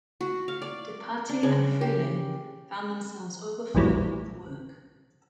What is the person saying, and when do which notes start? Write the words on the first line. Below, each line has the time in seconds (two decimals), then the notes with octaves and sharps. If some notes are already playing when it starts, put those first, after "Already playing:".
DePatie and Freleng found themselves overflowing with work.
0.21 F#4
0.48 F5
0.62 D5
1.29 D4
1.43 C#3
1.81 G4
3.75 A#1 F2 A2 E3 F#3 G3